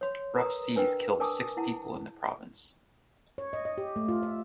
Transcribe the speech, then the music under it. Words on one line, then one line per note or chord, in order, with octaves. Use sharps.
Rough seas killed six people in the province.
C#5 C6
A#4 B4 A#5 D#6
D4 A#4 B4 D5 G5
A#4 D5 G#5 A5 D6 D#6
E4 F#5 A5
C#5
D#5
D#5
G4
A3
F4
E5